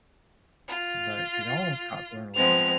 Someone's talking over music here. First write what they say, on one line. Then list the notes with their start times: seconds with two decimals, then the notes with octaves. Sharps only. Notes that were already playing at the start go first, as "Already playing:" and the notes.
but it almost got blown away.
0.68 F4
2.35 F3 G#3 B3 C4 F7